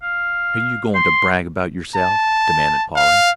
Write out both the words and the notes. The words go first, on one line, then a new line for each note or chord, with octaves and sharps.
"Are you going to brag about yourself?" demanded Polly.
F5
C6
A5
F5